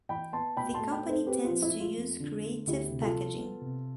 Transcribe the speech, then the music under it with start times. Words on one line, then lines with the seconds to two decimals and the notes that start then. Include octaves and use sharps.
The company tends to use creative packaging.
0.09 E3 G5 B5
0.33 B3 A5 C6
0.57 B2 G5 B5
0.74 A5 C6
0.80 A3
0.91 G5 B5
1.03 C4
1.09 A4 C5
1.26 C4 G4 B4
1.44 F4
1.51 F3
1.62 E4
1.74 A3
1.80 F4
1.97 F2
2.20 D3
2.44 A3
2.67 D2 E4 G4
2.90 C3
3.02 F4 A4
3.14 F3
3.37 B3
3.61 C3